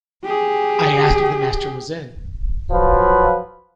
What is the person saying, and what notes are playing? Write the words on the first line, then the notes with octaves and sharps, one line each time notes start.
I asked if the master was in?
G4 G#4
F3 F#3 F4 B4